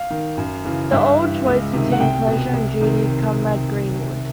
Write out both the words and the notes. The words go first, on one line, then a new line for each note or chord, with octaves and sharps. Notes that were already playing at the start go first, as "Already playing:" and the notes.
The old choice between pleasure and duty, Comrade Greenwood.
Already playing: F5
D#3
F#2
C#3 E3
G2 E5
E3
C#2
C3 D#3
F#5
C2 G5
B2
C2
C3 D#3